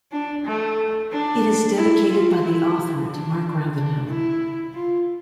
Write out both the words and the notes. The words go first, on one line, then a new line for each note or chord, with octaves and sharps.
It is dedicated by the author to Mark Ravenhill.
D4
A3
D4
E4
F4
E4
D4
D4
E4
F4